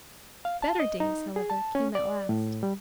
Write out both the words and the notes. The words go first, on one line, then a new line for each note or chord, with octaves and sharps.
Better days, however, came at last.
F5
A5
D#5
D#4
G#4
A5
C#4
D5
A2
G3